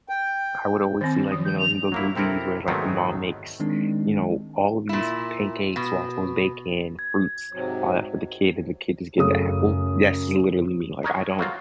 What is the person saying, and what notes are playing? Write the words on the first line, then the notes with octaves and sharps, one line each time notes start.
I would always see, like, you know, in those movies where, like, the mom makes, you know, all of these pancakes, waffles, bacon, fruits, all that for the kid, and the kid just get the apple. That's literally me, like, I don't
G5
D#3 C4
D#3 F3
G6
F7
F#3 A#3 E4
C3 C4 E4 A4 A#4
G#2 D#3 F#3 A3 B3 C4
D#3 G#3 C4 D4 D#4
A#2 E4
B2
G#6
G#2 C3 F#3
F#2 C#3 A3 D#6
D4 D#4 A#4 C#5 D#5
F#3 A#3 C4 F4